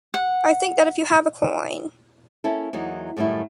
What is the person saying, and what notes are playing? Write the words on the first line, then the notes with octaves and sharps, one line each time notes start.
I think that if you have a coin.
F#5
A#3 C#4 E4 A4
E2 F#3 A#3 D#4
F#2 A2 D#3 G3 E4